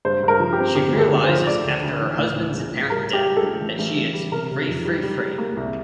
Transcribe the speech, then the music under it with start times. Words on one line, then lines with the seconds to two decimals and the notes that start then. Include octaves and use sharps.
She realizes after her husband's apparent death that she is "free, free, free".
0.05 G2 C5
0.23 G2
0.28 A#4
0.40 F3
0.53 G4
0.58 C4
0.75 D3 G4
0.93 D2
0.99 A4
1.12 D3
1.24 C5
1.29 F3
1.47 D2 D5
1.64 D2
1.82 D2
2.01 E3
2.19 A2
2.36 A2
2.54 A#1
2.72 A2
2.90 G3 A#4
3.07 G3
3.13 G4
3.25 G3
3.37 A4
3.42 A#1
3.61 A1
3.79 A1
3.96 A1
4.14 G3
4.32 C3 A#4
4.50 C3
4.68 F2
4.85 G3
5.03 G3
5.21 G3
5.38 A#3
5.57 C2